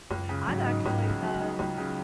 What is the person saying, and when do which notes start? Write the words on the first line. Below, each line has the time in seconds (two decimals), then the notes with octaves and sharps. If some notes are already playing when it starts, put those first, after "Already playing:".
I've actually, uh,
0.10 C#2 F#2
0.29 C#3
0.48 G#2 F#3
0.66 D#4
0.85 C#2 G#2
1.03 C#3
1.09 B3
1.23 F#3
1.35 B3
1.40 D#4
1.59 C#2 F#3
1.78 C#3